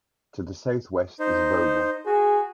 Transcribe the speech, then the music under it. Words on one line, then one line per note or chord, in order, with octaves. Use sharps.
To the southwest is Vogel.
D#4 C5
F#4 G#4